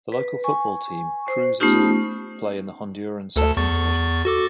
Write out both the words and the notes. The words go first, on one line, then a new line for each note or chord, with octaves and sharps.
The local football team, Cruz Azul, play in the Honduran second division.
B4
G#5 C#6
C5
A3 B3 C#4 D#4 F4 G4
D2 A4 A5
E2 C#6 A6
F#4 A4 D6